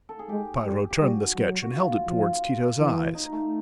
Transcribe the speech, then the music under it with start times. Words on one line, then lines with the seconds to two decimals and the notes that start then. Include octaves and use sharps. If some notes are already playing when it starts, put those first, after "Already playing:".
Piero turned the sketch, and held it towards Tito's eyes.
0.09 A4
0.19 G#4
0.29 G#3 G4
0.65 G3
0.90 G4
1.01 G3 F#4
1.36 F#3
1.62 F#4
1.72 F4
2.07 F3 F4
2.79 E3
3.14 D#4
3.32 A3